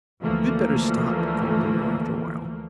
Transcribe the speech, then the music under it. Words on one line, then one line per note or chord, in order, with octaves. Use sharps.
"We had better stop," called Lulu, after a while.
D2 E3 F3 A3 A#3